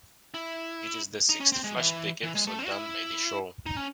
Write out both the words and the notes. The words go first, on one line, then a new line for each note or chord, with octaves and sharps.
It is the sixth flashback episode done by the show.
E4
D#4
C#4
C4
G#3
E3
E3
G#3
A3
C4
F#4
E4
D#4
C#4